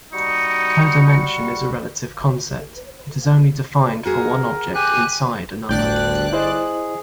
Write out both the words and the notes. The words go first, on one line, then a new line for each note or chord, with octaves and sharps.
Codimension is a "relative" concept: it is only defined for one object "inside" another.
G3 D#4 F#4 C#7
F#4 G#4 A#4
G4 G#5 F#6
G1 D2 A2 D4 D5 G5 F#6 G6
E4 G#4 C5 D#5